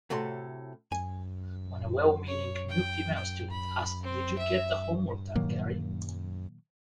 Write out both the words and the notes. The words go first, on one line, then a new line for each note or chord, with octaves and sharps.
When a well-meaning new female student asked, Did you get the homework done, Gary?
A2 C3 F#4 A4 C#5 C6
G#5
C#5
G5
G5
B5
C4
E5
A#2 D#3 F#3 A#3